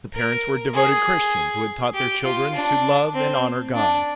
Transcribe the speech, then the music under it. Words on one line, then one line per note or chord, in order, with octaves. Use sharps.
The parents were devoted Christians who had taught their children to love and honor God.
A#4
G#4
G4
F4
D4
C4
D4